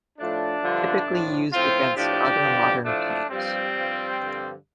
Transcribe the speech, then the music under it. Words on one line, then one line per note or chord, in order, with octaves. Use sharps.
Typically used against other modern tanks.
A2 F3 A3 D4
G2 D3 F3
A2 F3
A2 F3 C4 F4
A2 F3 D4 G4
G2 D3 F3
A2 F3 A3 D4
G2 F3 G3 C4
G2 F3
G2 D3 F3